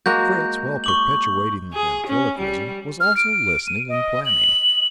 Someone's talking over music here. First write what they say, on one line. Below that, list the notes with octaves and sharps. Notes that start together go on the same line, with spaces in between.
Fritz, while perpetrating the ventriloquism, was also listening and planning.
G#3 A#3 F#4 G6
C#6 D6 F#7
G#4
C#4
G3
F6
D7
D#7
D#5
F#7